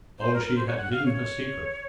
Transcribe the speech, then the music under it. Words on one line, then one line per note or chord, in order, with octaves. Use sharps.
Oh, she had hidden her secret.
C5
A#4
A#4
C5
C#5
F#5
F5
C#5